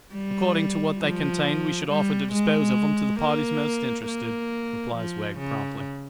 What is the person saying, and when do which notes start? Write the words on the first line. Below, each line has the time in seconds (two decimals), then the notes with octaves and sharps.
'According to what they contained we should offer to dispose of 'em to the parties most interested,' replies Wegg, promptly.
0.14 G3
1.01 F3
1.89 G3
2.33 G#3
3.20 A#3
4.07 A#3
4.95 F3
5.39 C#3